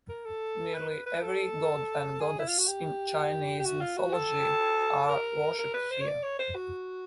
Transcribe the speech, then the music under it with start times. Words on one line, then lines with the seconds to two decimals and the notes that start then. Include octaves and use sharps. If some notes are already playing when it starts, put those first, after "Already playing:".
Nearly every god and goddess in Chinese Mythology are worshipped here.
0.09 A#4
0.25 A4
0.74 B4
0.90 B4
1.06 B4
1.22 A4
2.20 G#4
2.39 E4
2.48 F4
2.58 F#4
2.67 G4
3.59 G4
3.65 F#4
3.80 F4
3.97 F#4
4.13 A4
5.09 A#4
5.58 A#4
5.74 B4
5.91 C5
6.01 C#5
6.07 D5
6.23 C#5
6.39 C5
6.55 F#4